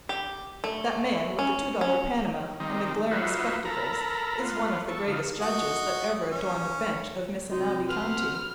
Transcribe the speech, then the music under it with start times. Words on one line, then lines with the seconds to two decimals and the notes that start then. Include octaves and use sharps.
That man with the two-dollar panama and the glaring spectacles is one of the greatest judges that ever adorned the bench of Missinaba County.
0.09 G4
0.64 A3
1.39 C#4
1.81 C#4
2.60 D#3 G3 C4 D#4
3.11 D#4 F4 F#4 B4 C5 E5
3.65 A4 A#4 A#5 B5
4.39 B3 F4
4.88 A4 C#6
5.08 D3 D#4 F5
5.41 F#4 D#5
6.30 C#4
7.51 C3 C4 D#4 F#4
7.89 B4 F#5 C6 F6